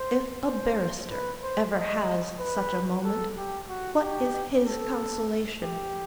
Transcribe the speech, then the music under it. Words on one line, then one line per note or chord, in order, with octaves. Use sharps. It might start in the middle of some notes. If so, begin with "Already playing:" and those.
If a barrister ever has such a moment, what is his consolation?
Already playing: C5
C5
B4
C5
D#5
B4
A4
G4
F#4
G4
A4
G4